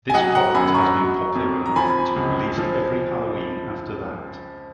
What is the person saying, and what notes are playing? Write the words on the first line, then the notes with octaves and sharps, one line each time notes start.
This product has been popular enough be released every Halloween after that.
G#5
F#3 D#5 F#5
F#5 A#5
F#2 G#5 B5
A#5 C#6
F#3
F2
A#5
F3 G#5 B5
C#2
F3